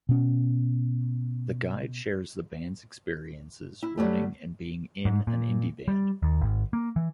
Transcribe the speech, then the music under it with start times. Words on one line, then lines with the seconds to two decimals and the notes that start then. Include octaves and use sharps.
The guide shares the band's experiences running and being in an indie band.
0.09 B2 C#4
3.83 E4
3.97 F#3 G3 A3
5.05 G#2
5.27 A#2
5.88 G3
6.22 D#2
6.41 G#1
6.73 A#3
6.96 E3